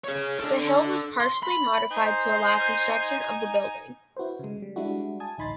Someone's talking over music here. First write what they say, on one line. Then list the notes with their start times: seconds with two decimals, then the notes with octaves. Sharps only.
The hill was partially modified to allow construction of the building.
0.04 G#4 C#5
0.39 D4 A4
1.20 C6
1.43 B5
1.91 D#4 C5 G#5
4.17 E4 F#4 B4 C5
4.39 C#3 G#3
4.62 G3
4.76 G3 G#3 D4 E4 F#4
5.20 G#5 A5 D#6 G#6
5.38 A1 D2 D#4 B5 C6 A6